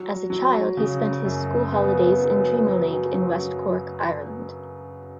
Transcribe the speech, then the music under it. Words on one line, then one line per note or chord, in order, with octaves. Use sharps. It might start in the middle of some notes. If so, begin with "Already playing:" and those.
As a child, he spent his school holidays in Drimoleague in West Cork, Ireland.
Already playing: F#3
F#3
C#3
F#2
B3
F#3
F#3
F#3